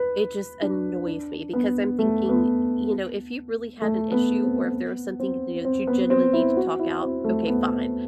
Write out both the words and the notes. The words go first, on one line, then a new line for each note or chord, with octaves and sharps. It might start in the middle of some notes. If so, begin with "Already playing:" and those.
it just annoys me because I'm thinking, you know, "If you really had an issue or if there was something that you genuinely need to talk out, okay, fine.
Already playing: B4
D4
D4
B3
A3
B3
A3
B3
C4
B3
C4
C4
B3
C4
E4
F#4
E4
C4
A3
B3